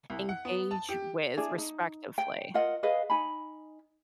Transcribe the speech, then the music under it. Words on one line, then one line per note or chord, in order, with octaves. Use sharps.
engage with respectively.
C2
F#5
B3
A5
G4
D4 E4 G#4 D5
D#4
G5
F4 A#4 D#5 F#5
G#4 B4 D#5 F5
D#4 G#5 B5